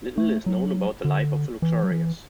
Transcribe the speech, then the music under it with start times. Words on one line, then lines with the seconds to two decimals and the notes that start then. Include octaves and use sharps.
Little is known about the life of Luxorius.
0.18 A3
0.46 F#3
1.05 D3
1.62 E3
1.84 F#3
1.91 E3